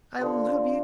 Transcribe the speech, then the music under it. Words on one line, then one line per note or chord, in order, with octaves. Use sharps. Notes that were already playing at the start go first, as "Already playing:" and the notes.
I love you!
D3 F3 C4 G4